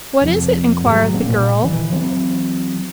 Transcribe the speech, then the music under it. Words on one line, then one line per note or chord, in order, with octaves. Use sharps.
"What is it?" enquired the girl.
F1 F2
G#1 F#3 G#3
A#1 A3 A#3 C#4
A#2
D#3 E3
E3 F#3 A#3 C4